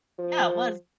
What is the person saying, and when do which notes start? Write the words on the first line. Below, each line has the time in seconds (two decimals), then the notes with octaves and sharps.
Yeah, it was.
0.19 F3